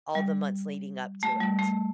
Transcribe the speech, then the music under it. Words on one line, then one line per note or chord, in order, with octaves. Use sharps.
all the months leading up to it.
G3
A3
G3
A3